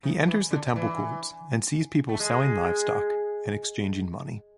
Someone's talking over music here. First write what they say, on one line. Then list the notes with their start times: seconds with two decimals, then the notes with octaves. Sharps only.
He enters the Temple courts and sees people selling livestock and exchanging money.
0.03 C3
0.28 E3
0.51 D3
0.76 E3
2.09 A3
2.20 G#3